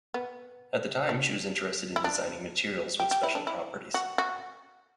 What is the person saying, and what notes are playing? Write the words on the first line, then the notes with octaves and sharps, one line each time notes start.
At the time she was interested in designing materials with special properties.
B3
D4
E4
D4
G4
G4
E4
D4
E4
F#4
F#4